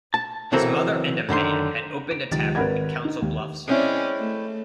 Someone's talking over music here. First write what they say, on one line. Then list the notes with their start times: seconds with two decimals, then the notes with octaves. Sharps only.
His mother and a man had opened a tavern in Council Bluffs.
0.14 A5
0.52 B1 C#3 E3 C4 A4 A#4
1.29 F#2 D3 D#3 C6
2.11 D7
2.31 C#2 D#3 F3 G4 A6
2.55 G#1 A#4 B4 F#5 B5 G#6
3.05 D#4
3.22 D#2
3.68 G#3 C4 C#4 E4 D5
4.18 A3